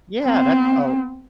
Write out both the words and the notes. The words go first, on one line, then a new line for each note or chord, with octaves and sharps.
Yeah. That's Oh
B3 C4